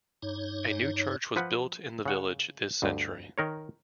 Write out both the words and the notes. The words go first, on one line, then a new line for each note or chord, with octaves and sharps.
A new church was built in the village this century.
G2 D#4 C#5
F3 B4 F#5
C#3 F#5
D2 G2
D#3 A#4 C#5